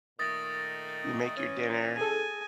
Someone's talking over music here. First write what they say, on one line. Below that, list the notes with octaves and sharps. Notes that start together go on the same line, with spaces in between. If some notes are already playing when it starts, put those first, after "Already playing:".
you make your dinner,
A#2 D#3 A3 D#6 A6 A#6
E3 C#4
G#4 A4 G#5